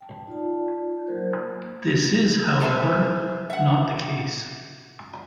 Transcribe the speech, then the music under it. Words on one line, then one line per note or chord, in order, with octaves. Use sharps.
This is, however, not the case.
G5 A5
D#4 F4 D5 A5
F#3 A#3 A#4 C5
A#3
G4 A4 C5 E5 G#5
E5 F#5